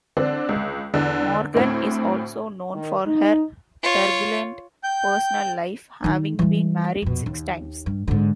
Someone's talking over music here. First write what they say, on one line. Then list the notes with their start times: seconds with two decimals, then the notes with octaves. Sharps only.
Morgan is also known for her turbulent personal life, having been married six times.
0.17 D3 C4 D4
0.49 C#2
0.94 E2 D3
1.54 D2 A2 C4 G#6
2.74 D#3
3.06 D#4
3.83 F4 C#5
4.84 G5 G6
6.04 D#3 D#4
6.39 E3 G3
7.02 F2 B2
7.26 D#2
7.86 G2
8.08 G#2 D3